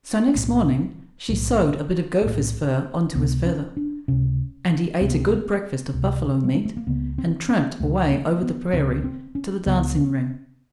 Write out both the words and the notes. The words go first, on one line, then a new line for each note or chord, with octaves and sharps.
So next morning she sewed a bit of gopher's fur on to his feather; and he ate a good breakfast of buffalo meat and tramped away over the prairie to the dancing ring.
B1 A2
B1 A2
B1 A2 A#3
C#2 C3 B3
C#4
D4
C#2 C3 C#4
C#2 C3 C4
B3
C4
C#2 C3
G3
G#3
A3
A#3
C#2 C#3 B3
C4
C#4
C#2 C#3 A3
A#3
B3
C#2 C#3 C4
C4
C#4
C#2 C#3 B3